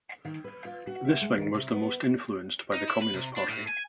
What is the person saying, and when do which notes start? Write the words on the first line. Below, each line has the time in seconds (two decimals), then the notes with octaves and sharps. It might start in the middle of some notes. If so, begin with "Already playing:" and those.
This wing was the most influenced by the Communist Party.
0.25 D#3
0.44 B4
0.65 F4
0.87 F#4
1.05 E5
1.21 G#3
1.37 D#3
1.54 C3
1.73 B3
2.74 D#4
2.88 E4
3.02 B4
3.14 C3
3.36 D4
3.48 A2
3.68 G#5